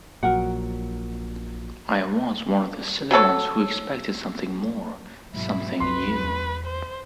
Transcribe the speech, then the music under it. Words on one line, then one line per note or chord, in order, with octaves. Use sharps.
I was one of the silly ones who expected something more, something new...
A#1 A#2 F#3 A#4 F#5
F#3 F#4 A4 C#5
G#2 B2 F#3 G#3 E4
C2 F#2 C4 B4 C6
E2
C5